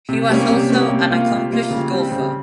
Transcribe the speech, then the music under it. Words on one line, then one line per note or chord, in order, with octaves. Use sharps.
He was also an accomplished golfer.
C3
G3 A#3 C#4
C3
G3 A#3 C#4
C3
G3 A#3 F4
C3
G3 A#3 F4
C#3
G3 C4
C#3